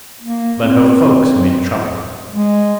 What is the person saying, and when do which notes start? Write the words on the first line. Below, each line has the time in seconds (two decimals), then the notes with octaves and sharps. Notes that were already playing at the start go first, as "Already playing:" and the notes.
But her folks made trouble.
0.23 A#3
0.59 C4
2.31 G#3